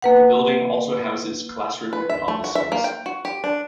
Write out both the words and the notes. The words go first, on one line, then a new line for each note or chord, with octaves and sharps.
The building also houses classroom and office space.
A#3 B4 F#5
B4
E5
A3
F#4
E5
A#3
G5
F#4
G4
D4